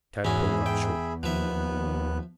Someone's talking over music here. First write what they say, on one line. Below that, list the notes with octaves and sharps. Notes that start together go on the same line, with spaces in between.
Tad pulled up shortly.
E2 G#2 C#4 F#4 G#4 E5 B5
G5
D#2 F3 B3 E5 F#6